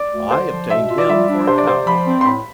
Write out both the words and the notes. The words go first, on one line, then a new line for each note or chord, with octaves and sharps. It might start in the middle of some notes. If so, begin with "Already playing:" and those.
"I obtained him for a cow."
Already playing: D5
D2
D3 C5
F3
B2 E5
F4
D5
G3 E5
D4
C3 C5
D5
C3 C5
F3 B5
C4
C6
A2 B5